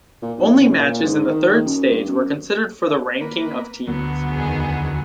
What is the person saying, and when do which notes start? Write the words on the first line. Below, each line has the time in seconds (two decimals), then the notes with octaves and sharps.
Only matches in the third stage were considered for the ranking of teams.
0.22 A#2
0.38 B1
0.52 F#1
0.78 A#2
1.02 G#2
1.28 D#3
1.49 D#3
1.65 F#2
1.91 G2
2.08 F#2
3.21 A#3 B4
3.87 D2 F#3 B3
4.30 E2 D#3 G#4